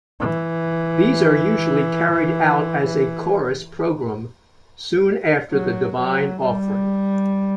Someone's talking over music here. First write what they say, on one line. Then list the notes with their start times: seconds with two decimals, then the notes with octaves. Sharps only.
These are usually carried out as a chorus programme soon after the divine offering.
0.20 E3
2.85 E3
5.52 F#3
5.97 F#3
6.41 G3